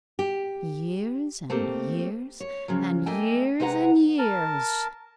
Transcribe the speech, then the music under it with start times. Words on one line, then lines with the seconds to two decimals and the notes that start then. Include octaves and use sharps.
Years and years and years and years!
0.19 G4
1.50 A3 A#3 C4 G4
2.40 C#5
2.68 C#3 F3 F#3
3.06 A3 A#3 D#5 G5 G#5
3.60 C3 G#3 B4 F#5 A#5
4.19 A#4 A5